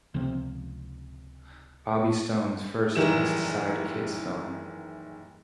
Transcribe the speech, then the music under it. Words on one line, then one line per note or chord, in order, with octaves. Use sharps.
Bobby Stone's first East Side Kids film.
C#2 C3 F3 C4
F#1 D#3 E3 G3 E7